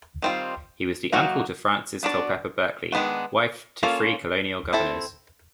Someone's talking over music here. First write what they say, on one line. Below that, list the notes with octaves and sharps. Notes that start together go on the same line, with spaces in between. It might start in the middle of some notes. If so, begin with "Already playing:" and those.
He was the uncle to Frances Culpeper Berkeley, wife to three colonial governors.
D#3 G3 C4 F4
D#3 F#3 A#3 D#4 F#4
B3 D4 F#4 A#4 D5
D#3 G#3 B3 D4 F#4
A#3 C#4 F4 A4
C4 E4 A4